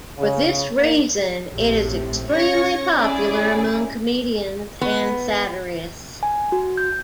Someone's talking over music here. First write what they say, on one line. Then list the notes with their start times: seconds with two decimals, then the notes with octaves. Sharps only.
For this reason, it is extremely popular among comedians and satirists.
0.18 C#3
0.75 A#3
1.51 A#1 A2 C3
2.31 C#4 C#5 G#6 A#6 C#7
2.97 C#4 E4 G#4 D5
4.81 B3
6.23 G#5
6.52 F#4
6.77 G6